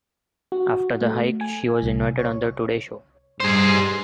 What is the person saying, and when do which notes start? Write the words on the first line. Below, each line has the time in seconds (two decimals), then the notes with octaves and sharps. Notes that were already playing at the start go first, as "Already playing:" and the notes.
After the hike she was invited on the "Today Show".
0.52 F#4
1.01 A3
1.41 G#5
1.83 C2
2.19 C#5
3.40 G2 G#4 C5